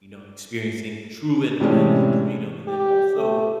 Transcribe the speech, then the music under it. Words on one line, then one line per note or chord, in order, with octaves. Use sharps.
you know, experiencing true independence and freedom, and then also,
A2 C3 E3 G#3 C#4 D4
G4
A3